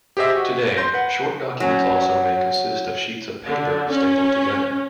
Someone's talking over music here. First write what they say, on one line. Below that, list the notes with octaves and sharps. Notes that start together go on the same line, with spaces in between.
Today, short documents also may consist of sheets of paper stapled together.
G4 G#4 C5 D#5 E5
F#4
C6 G6 A#6
B4 F#5
F#3 C#4
D3
C#4